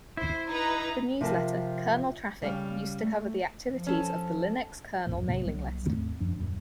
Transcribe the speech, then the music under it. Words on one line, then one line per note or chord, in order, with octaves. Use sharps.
The newsletter "Kernel Traffic" used to cover the activities of the Linux-kernel mailing list.
E4 C5
D#4 B4 A#5
C3 F3 A#4 A5
C#3 G3 F5 G5
A3
F3
C#4 A4
D1 A1 F2 A#2
A#1 G#2 C3 A#3
C2 F#3 A#3
D#2 G#2 A3 C4
F#2 F3 D4
D#1 F#2 A#2